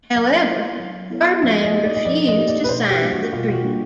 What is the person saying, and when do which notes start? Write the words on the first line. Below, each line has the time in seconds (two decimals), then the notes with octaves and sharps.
However, Ferdinand refused to sign the treaty.
0.15 F#3 F5
0.47 B3 E4 A4 C#5
0.80 F#3
1.10 B3 E4 A4 C#5
1.42 F3 E5
1.63 D#5
1.73 A#3 D#4 G4
1.85 D5
1.95 D#5
2.05 F3 D5
2.27 D#5
2.37 A#3 D#4 G4
2.48 D5
2.64 B4
2.69 B2 C5
2.90 G4
3.01 G3 A#3 D4
3.12 F#4
3.32 B2 F4
3.48 F4
3.53 F#4
3.64 G3 A#3 D4